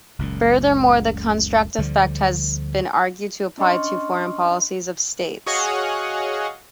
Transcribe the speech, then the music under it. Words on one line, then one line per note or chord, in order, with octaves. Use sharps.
Furthermore, the contrast effect has been argued to apply to foreign policies of states.
F#1 C#2 A#2
D2 D3 F3 G3
C#4 D4 D#5 C6 C#6 F6
F#4 G#4 C#5 D#5 F5 F#5